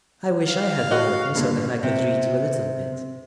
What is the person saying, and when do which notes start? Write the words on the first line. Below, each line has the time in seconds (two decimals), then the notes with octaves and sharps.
I wish I had one with me, so that I could read you a little bit.
0.48 F5
0.91 F#4 D#5
1.35 G2 A#2 D3
1.83 C3